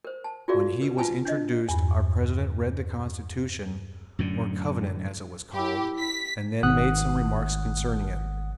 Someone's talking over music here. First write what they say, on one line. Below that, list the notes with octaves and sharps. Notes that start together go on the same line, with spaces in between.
When he was introduced our president read the constitution, or covenant as it was called, and then made some remarks concerning it.
A#4 C5
A5
F4 F#4 G#4 A#4 D5 F5
A#4 B4
F4 B4 F#5 G#5 A5
D4 D#5
E2 G2
F#2 A2 D3
E4 G4 B5
B6
G#1 F#5 D#6 F#6